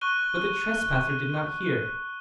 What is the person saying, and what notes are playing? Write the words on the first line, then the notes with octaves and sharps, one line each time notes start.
But the trespasser did not hear.
C#6 F#6 D#7 G7